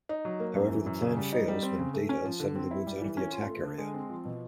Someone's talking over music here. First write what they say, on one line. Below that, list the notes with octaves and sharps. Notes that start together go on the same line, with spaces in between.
However the plan fails when Data suddenly moves out of the attack area.
D#4
F#3
A#3
F#2
E3
F#2
C#3
G3
D#4
G3
C4
C#3
A3
C#4
F3
D3
C4
E4
G3
E3
C#4
F4
A3
D3
G#3
C4
F3
B2